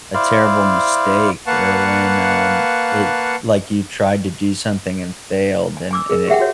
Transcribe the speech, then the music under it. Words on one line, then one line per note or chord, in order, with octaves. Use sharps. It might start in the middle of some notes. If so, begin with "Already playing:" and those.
a terrible mistake or when, um, it like, you tried to do something and failed, and and it
E4 C5 D5 F5
A#3 B4 F5 F#5 A5 C#6
G#5
G#5 D6 E6
G#4 A#4
G4 G#4 E5 F#5 G5
F#4 C#5